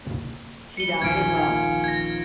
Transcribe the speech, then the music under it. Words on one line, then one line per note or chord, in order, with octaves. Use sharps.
She died in Rome.
G3 C#7 G7
A#1 D#2 F3 C#4 G#6 D7
F5
G#6 A#6